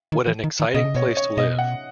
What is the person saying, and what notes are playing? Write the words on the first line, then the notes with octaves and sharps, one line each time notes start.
What an exciting place to live.
D#3
E3
D#3
D#3
B2 D#5
C#3
B2 C#5
C#5
B2 D#5
F#5